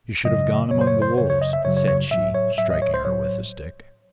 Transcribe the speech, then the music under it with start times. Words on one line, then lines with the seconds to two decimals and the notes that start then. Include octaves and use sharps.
'You should have gone among the wolves,' said she, striking her with a stick.
0.25 F#2 C#3 F#3 D#5
0.71 F#2 C#3 F#3 C#5
0.81 C5
0.87 C#5
1.02 C5
1.18 F#2 C#3 F#3 C#5
1.30 C#5
1.41 D#5
1.53 E5
1.65 F#2 C#3 F#3 C#5
1.77 C#5
1.88 C#5
2.11 A2 F#3 E5
2.35 C#5
2.58 A2 F#3 E5
2.70 D#5
2.82 C#5
2.94 C5
3.05 A2 F#3 C#5